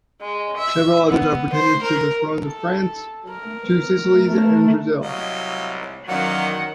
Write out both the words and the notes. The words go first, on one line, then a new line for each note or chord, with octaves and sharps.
Several others are pretenders to the thrones of France, Two Sicilies, and Brazil.
G#3
E5
B3
C5
A#4
A4
A#4
A3
C2 F#3 D#5 F5
F#2 D#3 E3 F#3 D5 D#5 F5 F#5